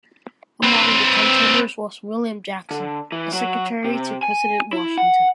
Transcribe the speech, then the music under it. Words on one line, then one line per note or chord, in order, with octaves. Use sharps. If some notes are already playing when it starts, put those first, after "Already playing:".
Among the contenders was William Jackson, a secretary to President Washington.
C4 B4
D3
E3
F#3
C3
G#5
E4
F#5